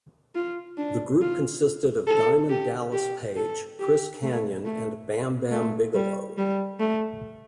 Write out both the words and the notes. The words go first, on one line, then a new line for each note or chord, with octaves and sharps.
The group consisted of Diamond Dallas Page, Chris Kanyon and Bam Bam Bigelow.
F4
D4
F4
A4
G4
G4
A4
G4
A3
A3
A3
G3
G3
A3